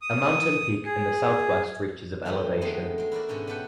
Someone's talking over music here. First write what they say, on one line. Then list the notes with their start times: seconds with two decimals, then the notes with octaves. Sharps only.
A mountain peak in the southwest reaches of elevation.
0.02 D#6
0.85 G#4
2.25 E3 A3 D4 D#4 G4
2.61 D#3 G#3 A3 B3 D#5
2.98 F#3 G#3
3.12 E4 F#4 A#4 D5
3.29 G#2 B2 C#4 D4
3.47 B3 D4 A4 B4 F#5 G5